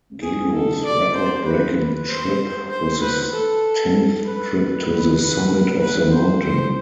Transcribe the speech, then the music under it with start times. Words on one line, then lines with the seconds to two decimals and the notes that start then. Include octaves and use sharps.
Gelu's record-breaking trip was his tenth trip to the summit of the mountain.
0.22 G#4
0.53 A4
0.84 D5
1.15 C5
1.45 B4
2.08 C5
2.70 C5
3.01 B4
3.32 A4
4.25 B4
4.87 B4
5.18 B4
5.80 B4
6.11 C5
6.42 C5